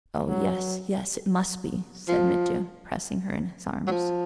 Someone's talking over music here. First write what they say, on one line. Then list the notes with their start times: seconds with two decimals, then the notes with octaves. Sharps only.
"Oh, yes, yes, it must be!" said Mitya, pressing her in his arms.
0.25 F#3
2.08 F3
3.87 F#3
3.91 F3